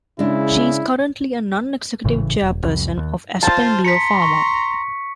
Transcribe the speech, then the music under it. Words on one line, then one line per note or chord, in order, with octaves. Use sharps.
She is currently a non-executive chairperson of AspenBio Pharma.
C#3 G#3 D4 E4
G#1 A2 C#3 E3
E1
C2 F2
D#2
F4 C5 A5
A#5 C6 B6 C#7
C#6